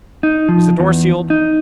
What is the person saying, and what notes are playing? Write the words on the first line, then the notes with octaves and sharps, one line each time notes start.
Is the door sealed?
D#4
F3
E2
D#4